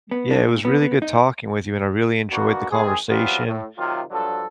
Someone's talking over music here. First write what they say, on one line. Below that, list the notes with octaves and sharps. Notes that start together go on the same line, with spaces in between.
Yeah, it was really good talking with you, and I really enjoyed the conversation.
B3
D4
A#2
B3
B3
D#4
A#3 B3 D4 F#4
D#3 G#3 C4 G#4
E3 F#3 G3 B3 C4 F4
A2
C3 D#3 F#3 F4
G2 F3 F#3 D4 A4